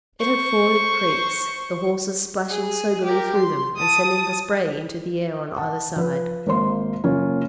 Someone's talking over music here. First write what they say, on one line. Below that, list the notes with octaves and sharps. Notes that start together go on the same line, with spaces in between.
It had forded creeks, the horses splashing soberly through them and sending the spray into the air on either side.
C5 C#6
G#4
G4 A#4
C6
A5 D#6
F#5 A5
F3 B4
G#1 A#3 C5 C6
F#1 A#3 C#4 F4 C#5